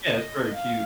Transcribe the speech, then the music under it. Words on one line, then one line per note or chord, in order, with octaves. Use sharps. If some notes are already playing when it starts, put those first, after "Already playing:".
Yeah, it's very cute.
D#5
F5